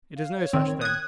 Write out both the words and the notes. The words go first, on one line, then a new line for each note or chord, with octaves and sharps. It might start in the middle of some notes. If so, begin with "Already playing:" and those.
It is no such thing.
F5
C#5
D#3 C4
D#6 F#6 G#6